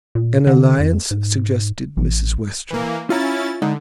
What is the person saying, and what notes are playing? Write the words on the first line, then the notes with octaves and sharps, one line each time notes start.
"An alliance," suggested Mrs. Western.
A#2
D3
F2
G#2
A1
E3 A#3
C#4 E4 F4 A#5 A6
D3 G#3 D#4